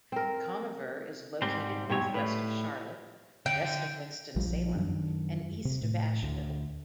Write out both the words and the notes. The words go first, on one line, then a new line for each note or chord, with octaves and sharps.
Conover is located northwest of Charlotte, west of Winston-Salem, and east of Asheville.
C4 A#4
G#2 G3 C4
G#2 B2 G3 C4 C#5
A2 B4
D3 G5
A#1 F3 G3
F#2 D#3 D4
C3
A2
D2